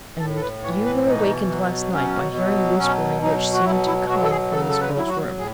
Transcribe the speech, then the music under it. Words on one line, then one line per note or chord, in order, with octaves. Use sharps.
"And you were wakened last night by hearing whispering which seemed to come from this girl's room."
A2 A4
A4
B4
E3 C#5
B4
B2 D#4
F#3
B2 C#4
F#3
B2 C#4
F#3 D#4
F#4
B2 E4
E4
F#3 F#4
A4
G#4
C#3 A4
A4
B4
F#3 E4
F#4
A2 G#4